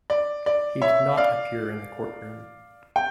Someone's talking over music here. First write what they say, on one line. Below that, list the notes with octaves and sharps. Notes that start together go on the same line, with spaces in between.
He did not appear in the courtroom.
D5
D5
C#5 E5
D5 F5
G5